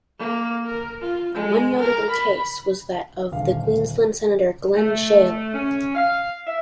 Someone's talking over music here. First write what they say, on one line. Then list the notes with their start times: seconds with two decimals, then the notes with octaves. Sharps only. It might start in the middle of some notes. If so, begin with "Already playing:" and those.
One notable case was that of the Queensland Senator Glen Sheil.
0.19 A#3
0.66 A#4
1.01 F4
1.34 G#3
1.79 A#4
2.10 B5
3.31 D#1 D3 F5
4.74 A3
5.54 C#4
5.95 F5
6.47 E5